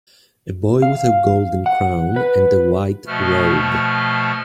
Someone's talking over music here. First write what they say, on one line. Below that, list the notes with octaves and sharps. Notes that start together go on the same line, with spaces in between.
A boy with a golden crown and a white robe.
F5
F#5
B4
B2 F3 A3 F6